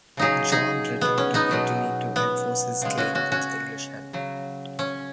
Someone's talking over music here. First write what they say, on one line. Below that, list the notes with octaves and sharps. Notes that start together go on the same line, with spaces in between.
John returned to Brittany to enforce his claim, with English help.
C#3 F#3 D#4 G#4
D#4 G#4
B3
C#4
B3 D#4
B2 F#3
B3
C#3 G#3
C#4 F#4
C#4 F#4
C#4 F#4
C#3 F#3
C#4